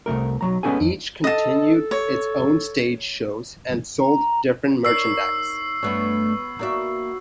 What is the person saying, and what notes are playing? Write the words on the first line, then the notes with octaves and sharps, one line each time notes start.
Each continued its own stage shows and sold different merchandise.
C2 G2 A3 A#4
B1 G2 F#3 A#5
G#3 B3 C#4 F#4 A4 G#5
F2
A4 D#5 A5
C#5
A#5
D#4 A#4 C#5 D5 E6 C7
G2 A3 B3 D4 B4 C#5
A#3 D#4 F#4 D5 E5